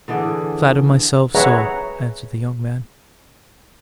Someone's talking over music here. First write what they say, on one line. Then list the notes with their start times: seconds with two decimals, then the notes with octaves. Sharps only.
"I flatter myself so," answered the young man.
0.08 D3 E3 G#4 D5
1.35 G#4 B4 C#5 E5 F#5 A#5